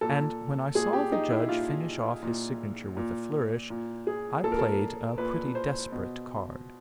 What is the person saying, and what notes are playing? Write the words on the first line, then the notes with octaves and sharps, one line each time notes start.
And when I saw the judge finish off his signature with a flourish, I played a pretty desperate card.
A#2 A4
A#2 G#4
G4
D#4
E4
A#2 F4
A#2
A#2
A#2
G#4
A#2 A4
A#4
A4
A#2 B4
C5
B2